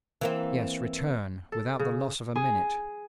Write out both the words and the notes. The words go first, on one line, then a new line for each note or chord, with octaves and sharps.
"Yes, return, without the loss of a minute."
E3 A#3 C4
A4
C#3
G#4